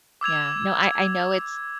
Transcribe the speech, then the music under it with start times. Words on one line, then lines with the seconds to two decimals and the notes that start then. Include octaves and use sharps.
Yeah. No, I I know it's
0.21 D6 E6 G#6 F7